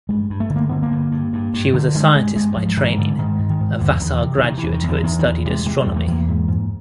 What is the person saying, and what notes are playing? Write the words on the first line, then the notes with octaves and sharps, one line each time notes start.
She was a scientist by training, a Vassar graduate who had studied astronomy.
G2 G#3
G2
A3
D3
A#3
D3 B3
A#3
G2
G2
G2
G2
D3
D3 G#3
G2 G#3
G2 G#3
G#2 F3
G#2 E3
G#2 D3
G#2 D#3
G#2
D#3
G#2
E2 D3
E2 D#3
C3
E3
C3 D#3
E3
E2
D#3
E2
D3
E2 D#3
D#3
E2
C3 G3 G#3
C3 G#3
G#3
E2 G3
A3
E2
A#3
G#2
G#2